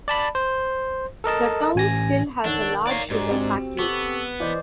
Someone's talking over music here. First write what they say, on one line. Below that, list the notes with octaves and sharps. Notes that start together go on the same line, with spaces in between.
The town still has a large sugar factory.
D5 A5 B5
C5
A4 A#4 D#5 A5
A1 G#5 A#6
D#3 D4 A4 A#4 C#5 F#5 F#6
C#5 D5 F5 A#5
G#2 D4 F#4 G4
C4
B3 G4 A4 C#6 D6
E3 B4 C5 D5 D#5